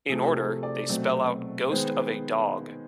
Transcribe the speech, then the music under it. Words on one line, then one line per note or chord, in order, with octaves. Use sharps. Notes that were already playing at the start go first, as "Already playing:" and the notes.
In order, they spell out Ghost of a dog.
C3 F3 A3 C4 G#4
A4
D5
B2 F#3 A3 C4
D#3 G#3 B3 C5